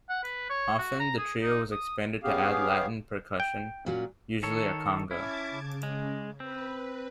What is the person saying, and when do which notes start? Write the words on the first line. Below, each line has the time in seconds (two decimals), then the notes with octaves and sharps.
Often the trio was expanded to add Latin percussion, usually a conga.
0.09 F#5
0.23 B4
0.50 C#5
0.79 F#4
1.00 A#5
1.18 G#4
1.42 D#4
1.71 D#6
2.24 B3 C#4 G4 G#4 F5
3.40 G5
3.86 A#2 F#3 C#4
4.43 D#3 A4 C#5
5.11 C#4 E4 A5 D6 G#6
5.49 C#3
5.83 G#3
6.40 C4 B4